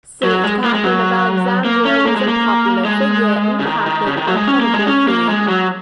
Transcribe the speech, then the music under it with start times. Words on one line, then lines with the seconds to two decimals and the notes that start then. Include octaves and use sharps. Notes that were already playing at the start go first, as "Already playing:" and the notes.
Saint Catherine of Alexandria was a popular figure in Catholic iconography.
0.23 F#3
0.44 G#3
0.64 A#3
0.74 G#3
0.84 F#3
1.65 A#3
1.85 C#4
2.05 A#3
2.16 G#3
2.28 A#3
2.85 G#3
3.59 C#3
3.66 D#3
3.86 D#3
4.06 C#3
4.17 D#3
4.27 F#3
4.36 G#3
4.47 C#4
4.60 A#3
4.74 G#3
4.87 C#4
5.08 A#3
5.28 G#3
5.48 F#3